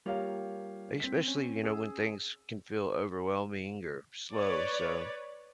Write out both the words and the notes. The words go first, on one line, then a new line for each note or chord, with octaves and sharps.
especially, you know, when things can feel overwhelming, or, slow, so.
G3 A#3 F4 G4 C#5 F5
C4 B6
C#4
G#4 E6
B4 C#5 D5